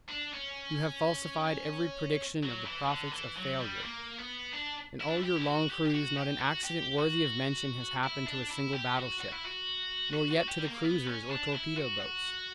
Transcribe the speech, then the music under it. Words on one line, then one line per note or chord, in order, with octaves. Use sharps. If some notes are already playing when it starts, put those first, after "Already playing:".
You have falsified every prediction of the prophets of failure. In all your long cruise not an accident worthy of mention has happened to a single battleship, nor yet to the cruisers or torpedo boats.
D4
C#4
F#3
E3
E3
D3
E3
F#3
G3
A#3
B3
D4
E4
D4
E4
G4
E4
F#4
G4
G4
F#4
G4
F#4
G4
F#4
E4
D4
E4
G4
F#4
F#4
E4
F#4
F#4
F#4
G4
G3
A#3
B3
C#4
D4
E4
F#4
F#4